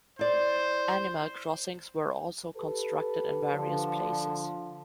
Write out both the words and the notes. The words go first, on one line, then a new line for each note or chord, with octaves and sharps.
Animal crossings were also constructed in various places.
E4 C5 D5
G4 A4 B4
D3 F3